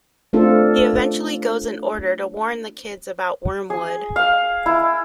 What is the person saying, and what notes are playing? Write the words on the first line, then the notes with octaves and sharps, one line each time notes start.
He eventually goes in order to warn the kids about Wormwood.
A3 C4 D4 F4 A4
G#4
F5
E4